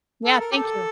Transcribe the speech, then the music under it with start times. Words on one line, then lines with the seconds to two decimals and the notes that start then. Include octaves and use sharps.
Yeah, thank you.
0.25 A4
0.40 A#4
0.51 G4
0.56 A4